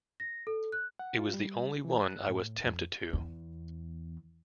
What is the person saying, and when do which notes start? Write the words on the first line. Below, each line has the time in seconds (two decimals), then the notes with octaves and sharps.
It was the only one I was tempted to ...
0.20 A#6
0.47 A4
0.72 F#6
0.99 F#5
1.19 F4
1.34 G3
1.85 E3
2.03 F#6
2.28 A2
2.65 F2
3.13 E2